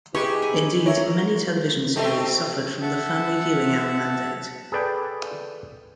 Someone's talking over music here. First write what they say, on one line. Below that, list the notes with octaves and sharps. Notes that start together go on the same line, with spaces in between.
Indeed, many television series suffered from the Family Viewing Hour mandate.
D#4 E4 G4 G#4 B4 C#6
G#5
A#4 C#5 E5
A3 C4 D#4 A4 E5
E5 F#5 A5
G#4 A4 B4 D5 G5